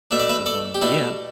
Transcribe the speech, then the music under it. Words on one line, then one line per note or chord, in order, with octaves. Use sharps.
So, um, yeah.
B2 A3 D4 E5
D5
B4 E5
A4 D5
G4
B2 A3 D4 E4 A4